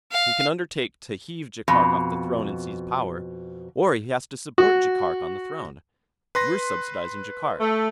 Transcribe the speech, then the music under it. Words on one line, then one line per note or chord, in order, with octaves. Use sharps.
He can undertake to heave Jaikark off the throne and seize power, or he has to support Jaikark on the throne. We're subsidizing Jaikark.
F5
F2 B2
F#4
B4 C6 A#6
A3